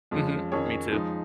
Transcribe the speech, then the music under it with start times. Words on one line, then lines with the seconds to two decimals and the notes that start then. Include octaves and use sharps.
Mhm. Me too.
0.11 F2 F3 G#3 C#4
0.52 F2 D#3 C#4 G#4 C#5
0.92 F3 G#3 D#4